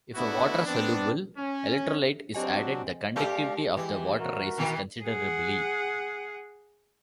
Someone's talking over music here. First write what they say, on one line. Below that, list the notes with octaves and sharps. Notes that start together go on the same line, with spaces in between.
If a water-soluble electrolyte is added, the conductivity of the water rises considerably.
A3 B3 D4 E4 F#4
B3 C4 D4
C#4
F#3 C4 D4 F#4 G4 D#5 G#5
G#3 G4 A#4 D5 F5
E3 G#3 G4
F#4 A#4
B2 D#3 E3
G#4 F#5